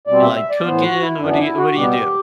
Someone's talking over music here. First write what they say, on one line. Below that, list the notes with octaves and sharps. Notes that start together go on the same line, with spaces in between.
You like cooking, what do you what do you do?
B2 G3 C4 D5
E5
E5
D5
A2 E3 B3 C5
F#4
E4
F#2 E3 B3 D4
E4
F#4
B2 G3 B3 G4